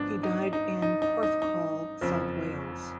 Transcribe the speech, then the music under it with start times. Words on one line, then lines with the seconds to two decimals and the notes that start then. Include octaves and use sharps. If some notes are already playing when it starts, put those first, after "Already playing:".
He died in Porthcawl, south Wales.
Already playing: G#1 G#2 F3 B3 D4
0.23 D#4
0.53 D#4
0.82 D#4
1.02 D#4
1.23 D#4
1.42 D#4
2.01 F#1 F2 F3